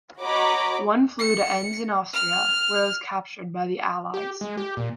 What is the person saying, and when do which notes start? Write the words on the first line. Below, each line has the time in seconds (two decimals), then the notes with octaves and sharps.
One flew to Enns in Austria, where it was captured by the Allies.
0.21 F#4 C#5 D#5 A#5 B5 D6
1.19 C#7
2.13 F6
4.14 G4
4.41 G#3
4.57 G4
4.77 A#2